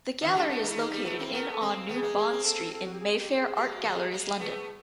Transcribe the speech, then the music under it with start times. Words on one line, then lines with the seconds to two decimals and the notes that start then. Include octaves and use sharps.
The gallery is located in on New Bond Street in Mayfair, art galleries london.
0.21 D3 E3 D4
0.35 G3 A3
0.49 A3 B3
0.63 G#3 A#3
0.69 A3 E4
0.77 G#3 A#3 D#4
0.91 G3 A3
1.05 A3 B3 E4
1.19 A#3 C4
1.33 A3 B3 A#4
1.52 A4
1.61 A#3 C4
1.88 A3 B3 G#4
2.02 G#3 A#3
2.16 G#3 A#3
2.31 A#3 C4
2.44 A4
2.72 A4
2.85 F#4
2.93 G4
3.00 G#4
3.19 G4
3.38 G#4
3.56 G#3 A#3 G4
3.74 F#4
3.84 G#3 A#3
3.93 G4
4.11 G#3 A#3
4.39 A3 B3